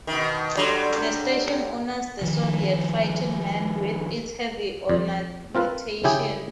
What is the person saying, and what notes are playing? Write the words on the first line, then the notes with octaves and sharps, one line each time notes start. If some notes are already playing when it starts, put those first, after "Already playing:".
The station honors the Soviet fighting men with its heavy ornamentation.
B2 D#3
D3 F#3 G3
D#3 F3
F2
C4 F4 A#4 B4
C#3 E4 G4 G#4